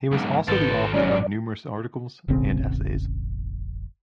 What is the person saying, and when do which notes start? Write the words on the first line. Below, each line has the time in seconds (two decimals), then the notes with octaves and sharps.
He was also the author of numerous articles and essays.
0.11 B1 G#2
0.48 G#1 A4 B4 C5 A6
0.94 G#2 F#3 C#4 D5
2.28 E1 A1 C#3 C4